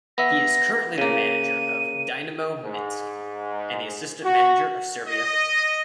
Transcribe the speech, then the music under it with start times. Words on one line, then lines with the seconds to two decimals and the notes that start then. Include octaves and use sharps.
He is currently the manager of Dinamo Minsk and the assistant manager of Serbia.
0.18 B3 E5 A#6
0.98 C#3 A#3 D#7
2.63 G#2
4.23 F#4
5.06 D#5